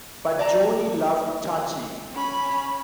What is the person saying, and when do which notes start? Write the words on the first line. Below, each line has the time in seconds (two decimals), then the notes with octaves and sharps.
But Joanie loved Chachi!
0.39 D5 A5 A#5
2.13 C#4 B5